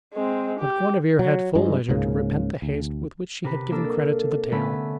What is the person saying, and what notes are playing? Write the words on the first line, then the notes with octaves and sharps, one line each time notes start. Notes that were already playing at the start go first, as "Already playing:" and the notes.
But Guenever had full leisure to repent the haste with which she had given credit to the tale.
G#3 C4
G4
F#3
G2 F3 G#3
C#2 G#2 C#3 A#3
D2
C3 B4
A#3 D4 A4
D3 A3 B3 C#4 B4